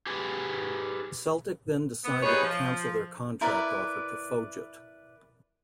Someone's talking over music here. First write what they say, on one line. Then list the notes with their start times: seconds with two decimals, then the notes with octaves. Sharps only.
Celtic then decided to cancel their contract offer to Fojut.
0.07 G4 G#4 B4
2.04 B3
2.22 G3 D#4 G#4 B4 C#5
2.43 F3
3.41 E4 A#4 B4 D5